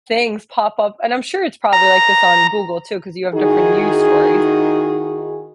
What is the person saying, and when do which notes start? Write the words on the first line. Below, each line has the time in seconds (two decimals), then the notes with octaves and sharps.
things pop up, and I'm sure it's probably like this on Google too 'cause you have different news stories.
1.73 A#5
3.34 D#3 D#4 E4 F#4 G#4